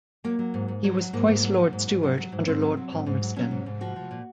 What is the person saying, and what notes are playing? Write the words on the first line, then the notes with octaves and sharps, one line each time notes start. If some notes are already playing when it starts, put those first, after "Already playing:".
He was twice Lord Steward under Lord Palmerston.
F#3 A#3
F#3
G#2
G#2
F#3
F#3
G#2 A#3
G#2
F#3
F#3
G#2
G#2
F#3
F#3
G#2
G#2 C4
F#3
F#3
G#2
G#2
F#3
F#3 C#4
G#2
G#2
F3 F#4
F3
A#2